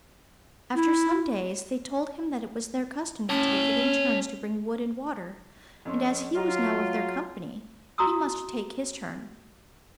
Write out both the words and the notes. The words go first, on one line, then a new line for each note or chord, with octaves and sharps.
After some days they told him that it was their custom to take it in turns to bring wood and water, and as he was now of their company, he must take his turn.
E4
C#4 C#5 A5
F2 C#4 C6
F#3 F4 C#5 D#5 A#5
F#4 A#5 C6 D#6 E6